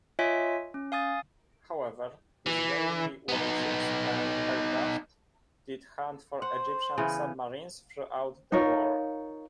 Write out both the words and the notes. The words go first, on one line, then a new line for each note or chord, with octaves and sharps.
However, Israeli warships and aircraft did hunt for Egyptian submarines throughout the war.
F4 C#5 D#5 E5 G#5 B6
C#4
F5 G#5 D#6 A6
E3
B3 D#4
C5 F#5
C#3 E3 B3
D#4 F4 A#4 C#5